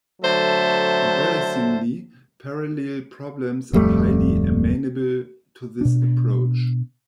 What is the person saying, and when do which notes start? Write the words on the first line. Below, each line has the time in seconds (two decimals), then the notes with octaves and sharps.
Embarrassingly parallel problems are highly amenable to this approach.
0.22 D3 F#3 A3 C5 E5 A5
3.73 D1 F2 G3 A3
5.81 B2 D4